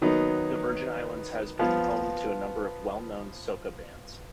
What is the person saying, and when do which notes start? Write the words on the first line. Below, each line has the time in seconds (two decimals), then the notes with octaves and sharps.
The Virgin Islands has been home to a number of well-known soca bands.
0.02 D#3 F#3 B3 D#4
1.59 F3 B3 F4